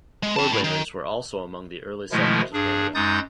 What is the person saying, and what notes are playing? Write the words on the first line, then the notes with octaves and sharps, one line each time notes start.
Cordwainers were also among the early settlers of Canada.
G#3
C4 A5
A2
D#3
B2 D#3 F3 G#3 A3 E4
G2 D4 G#4
F#2 G#3 D#4 D#6 G6 A6